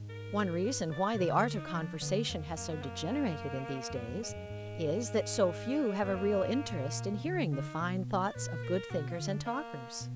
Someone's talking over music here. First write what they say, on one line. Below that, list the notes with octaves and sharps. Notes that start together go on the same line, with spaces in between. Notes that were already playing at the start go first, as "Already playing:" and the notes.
One reason why the art of conversation has so degenerated in these days is that so few have a real interest in hearing the fine thoughts of good thinker and talkers.
Already playing: G#2
A#4
B4
D5
B2
D3 B4
A#4
D#4
D#4
F3 D4
D3 B3
F2 A#3
F2
F#2 A#3
B3
A#3
F2
F#2 B3
F#2
G#3
G#2
F#2
G#2
G#3
G#2 B3
F#2 A#3
G#2
A#2
B2
D3
D#4
B2
D5
A#2 B4
A#4
B2 F#4
F4
D3
D4
A#3
B2